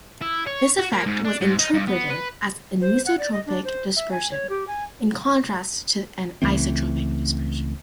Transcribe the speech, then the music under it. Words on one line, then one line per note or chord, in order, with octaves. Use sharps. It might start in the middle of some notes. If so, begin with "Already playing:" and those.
This effect was interpreted as anisotropic dispersion in contrast to an isotropic dispersion.
E4
C#5
F#4
A#3
G#2
D4
G#2
D#4
G2
B3
B4
C5
F#5
D5
D#5
D4
C5
E5
G#5
C#5
G4
G#5
C#2 E3 A3 C4